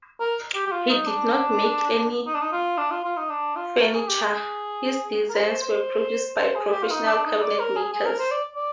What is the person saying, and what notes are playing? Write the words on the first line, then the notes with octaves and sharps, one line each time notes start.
He did not make any furniture; his designs were produced by professional cabinet makers.
A#4
G4
G4
F4
D#4
D4
D#4
D4
D#4
F4
D4
F4
F4
D#4
D4
F4
A#4
G#4
G4
G#4
A#4
C5
C5
C5
G#4
G4
F4
D#4
D4
D#4
D5
A#4
G#4
G#4
A#4
C5
D5
D5